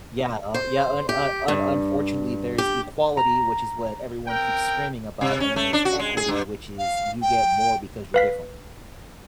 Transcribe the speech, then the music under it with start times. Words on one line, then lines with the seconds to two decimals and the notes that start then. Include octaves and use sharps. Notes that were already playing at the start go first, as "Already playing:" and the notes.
Yeah, uh, yeah, un uh, un unfortunately there is equality, which is what everyone keeps screaming about, and then there's equity, which is you get more because you're different.
0.54 C5
1.09 G4
1.48 G2
2.58 G4
3.17 A#5
4.27 C4 A#4 G5
5.21 C3
5.40 C#4
5.56 A3
5.73 D4
5.85 F#4
5.99 G#3
6.17 G#4
6.28 G2
6.78 F5
7.22 G5
8.14 B4 F5 B6